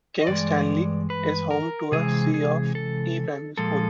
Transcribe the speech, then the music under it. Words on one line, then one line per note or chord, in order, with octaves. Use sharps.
King's Stanley is home to a C of E Primary School.
D#5
G2 E3 G#3 D5
B4
A#4
C3 E3 G#3 G#4
G#4
A4
A#2 F3 G#3 A4